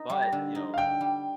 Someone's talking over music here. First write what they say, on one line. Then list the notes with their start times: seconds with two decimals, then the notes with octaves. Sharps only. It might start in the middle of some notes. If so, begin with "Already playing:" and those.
but, you know,
Already playing: D#4
0.10 G3
0.32 D3
0.55 D#4
0.74 F5
0.78 D3 G5
1.01 G3